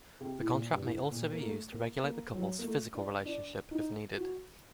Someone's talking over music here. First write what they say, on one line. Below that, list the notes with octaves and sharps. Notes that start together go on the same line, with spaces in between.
The contract may also be used to regulate the couple's physical relationship, if needed.
C3
A2
A#2
G2
A2
A#2
A#3
A3
A#3
A#3
F#3
A#3
A3
D4
D4
D#4
F#4